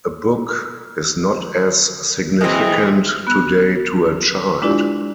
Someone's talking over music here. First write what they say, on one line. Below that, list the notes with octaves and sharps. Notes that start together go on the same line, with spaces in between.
A book is not as significant today to a child.
E3 G#3 C4 D#5
B3 F#6
G#3 D4 E4 F4 G4 D5